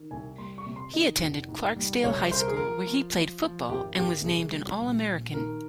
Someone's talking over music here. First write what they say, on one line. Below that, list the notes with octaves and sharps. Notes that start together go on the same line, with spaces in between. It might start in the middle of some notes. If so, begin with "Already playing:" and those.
He attended Clarksdale High School, where he played football and was named an All-American.
Already playing: D#3
C2 G#5
G3 C6
C#6
C3
C6
D#3 D#5
F1
G#2
G3
C2 C#5
C2 C5
A#4
G#4
F3 A#4
F3
F3
F3
G#1 G4
G#1 G4
C2 G#4
G3
A#1
A#1
D#3 A#4